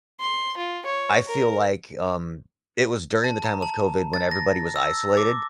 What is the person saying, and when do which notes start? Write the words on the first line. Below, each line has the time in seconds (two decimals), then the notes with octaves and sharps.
I feel like um, it was during the time of COVID, when everybody was isolated,
0.20 C6
0.57 F4
0.86 C#5
1.28 A#4
3.24 A5
3.44 A#5
3.62 A5
4.13 A6
4.31 A#6
4.76 E6
5.17 D6